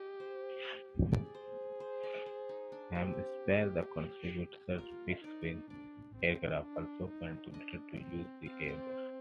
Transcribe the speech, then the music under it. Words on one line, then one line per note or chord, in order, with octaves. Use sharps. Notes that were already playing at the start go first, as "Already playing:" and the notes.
Hampshire Constabulary's fixed wing aircraft also continued to use the airfield.
Already playing: G4 G#4 D#5
C5
G#4 D5
C5
C5
D5
C5
D#4
D4
C4 G4
F4 A#4
D#4 D5
D4 D5
C4
D4
D#4
D4 D#5
C4
C4 F5
C5 D5